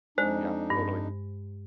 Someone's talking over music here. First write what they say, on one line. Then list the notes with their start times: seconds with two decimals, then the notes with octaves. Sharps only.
Yeah, totally.
0.18 F2 G#3 D4 D#4 C5
0.70 G2